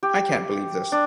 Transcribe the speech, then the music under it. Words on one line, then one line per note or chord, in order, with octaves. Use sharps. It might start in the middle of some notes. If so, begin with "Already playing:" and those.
I can't believe this.
G4
D4